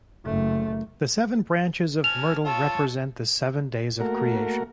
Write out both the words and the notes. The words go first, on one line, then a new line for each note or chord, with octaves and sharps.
The seven branches of myrtle represent the seven days of creation.
F#1 A3
G#5 A5 F6 F7
F4 C#5 A5 C#6 E6
A3 A#3 F#4 A#4